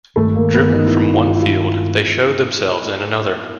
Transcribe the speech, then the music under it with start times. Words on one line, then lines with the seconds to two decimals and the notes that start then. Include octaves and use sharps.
Driven from one field, they showed themselves in another.
0.16 G2 D#3 G#3 A3 C4
0.36 A#3
0.54 B3
0.73 D#4
0.86 E4
1.00 E4
1.14 F4
1.28 F4
1.36 E4
1.42 F4